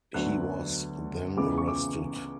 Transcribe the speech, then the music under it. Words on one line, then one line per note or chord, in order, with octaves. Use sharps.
He was then arrested.
D2 D3 F#3 B3 F#6
C#2 C#3 E3 G#3 B3 D6
C#6
D6